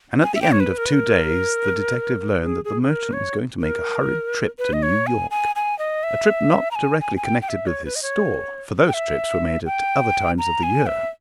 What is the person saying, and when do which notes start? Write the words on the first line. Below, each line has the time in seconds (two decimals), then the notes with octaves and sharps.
And, at the end of two days the detective learned that the merchant was going to make a hurried trip to New York--a trip not directly connected with his store, for those trips were made at other times of the year.
0.23 G#5
0.35 E5
0.42 G5
0.52 C#5
0.60 B4
0.78 A#4
0.86 B4
0.93 A#4
2.41 G#4
2.65 G#4
2.82 G#4
2.89 A#4
3.13 C#5
3.61 A#4
4.59 B4
4.73 D#5
4.83 C#5
5.07 G#5
5.31 G#5
5.56 G#5
5.79 D#5
6.03 E5
6.71 A#5
6.75 G#5
7.01 G#5
7.17 G#5
7.24 G5
7.42 G5
7.49 E5
7.67 C#5
7.85 B4
7.96 D#5
8.02 C#5
8.88 G5
8.94 E5
9.66 G5
10.38 A#5
10.63 G#5
10.86 E5